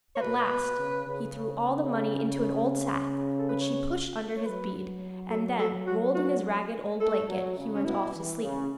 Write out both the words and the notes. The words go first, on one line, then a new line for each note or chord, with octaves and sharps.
At last he threw all the money into an old sack, which he pushed under his bead, and then, rolled in his ragged old blanket, he went off to sleep.
C#5
B2 B4
B2
C#3
C#3
A4
B4
C#5
C#5
F#3 B4
A4
A4
F#4
F#4
A3 A4
F#3
C#3
C#4
B2 E4
E3
C#3